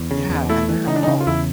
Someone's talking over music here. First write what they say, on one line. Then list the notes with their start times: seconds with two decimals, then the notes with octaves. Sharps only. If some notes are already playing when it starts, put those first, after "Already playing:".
Yeah, and they're all
Already playing: E2
0.11 C#3
0.29 E2
0.49 A3 E4
0.69 E3
0.87 C#3 D#4
0.96 D4
1.03 D#4
1.08 C#3
1.20 F4
1.27 E2 E4